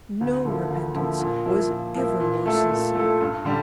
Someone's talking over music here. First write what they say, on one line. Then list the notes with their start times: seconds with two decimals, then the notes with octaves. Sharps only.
No repentance was ever more sincere.
0.21 D2
0.45 D3 F3 A#3 E4
0.70 D2
0.95 D3 F3 A#3 E4
1.20 A#2
1.46 F3 A#3 E4
1.70 A#2
1.95 F3 A#3 E4
2.20 A#2
2.46 A3 E4 A4
2.70 A#2
2.95 A3 E4 A4
3.21 G2
3.45 D3 G3